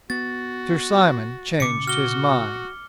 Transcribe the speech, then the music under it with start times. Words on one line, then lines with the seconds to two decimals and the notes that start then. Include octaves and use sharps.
Sir Simon changed his mind.
0.10 B3 F#4 A6
1.60 A#2 C#3 D6 C#7
1.87 F#4 F6 G7